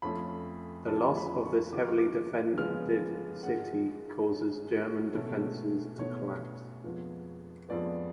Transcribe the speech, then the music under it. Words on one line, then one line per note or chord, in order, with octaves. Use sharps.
The loss of this heavily defended city caused German defenses to collapse.
F2 F3 A3 C#4 B5
F2 F3 A3 C#4 A5
G#5
A5
B5
C#6
C#3 F3 G#3 B3 D6
F6
D6
C#3 F3 G#3 B3 F6
G#2 G#3 C#4 F#5
G#2 G#3 C#4
B2 A3 C#4
B2 A3 C#4 C#5
F2 F3 G#3 B3
F2 F3 G#3 B3 D5